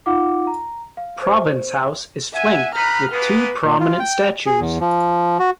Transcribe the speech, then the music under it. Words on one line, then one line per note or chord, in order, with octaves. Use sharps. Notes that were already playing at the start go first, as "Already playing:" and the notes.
Province House is flanked with two prominent statues.
D#4 F4 F5 F#5 D6
A#5
F5
C5
E5 F#5 G#5
D#4 B4 A#5 B5 F6
G#3 A#3 B3 B4
A#2
F4
G5
G#4
E2
F3
F#4